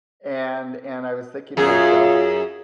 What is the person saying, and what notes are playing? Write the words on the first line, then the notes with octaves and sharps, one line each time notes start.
And and, I was thinking to myself,
F#2 F4 G#4